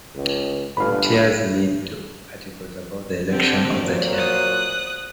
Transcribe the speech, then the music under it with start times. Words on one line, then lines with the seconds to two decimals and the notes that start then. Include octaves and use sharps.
Linked years lead to articles about the election of that year.
0.15 C#2
0.77 G1 B4 F5
3.30 D3 C4 G4
3.79 A#2 F#3 C5
4.15 D#6 F#6